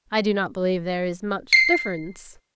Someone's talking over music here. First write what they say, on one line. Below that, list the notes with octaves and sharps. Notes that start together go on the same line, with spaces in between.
"I do not believe there is much difference."
C7